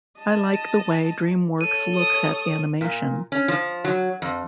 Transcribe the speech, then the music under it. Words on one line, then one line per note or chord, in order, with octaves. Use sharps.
I like the way DreamWorks looks at animation.
D#5 A5
A4 C#5 D#7
D#6
A#2
C#4
F3
F#3
F2